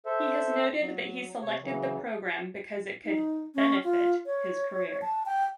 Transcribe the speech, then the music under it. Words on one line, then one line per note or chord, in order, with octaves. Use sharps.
He has noted that he selected the program because it could "benefit" his career.
A4 C5 E5
F#3
C3 C#5
C#3 E3 F#3
D#4
C#4
F4
C#5
A5
G5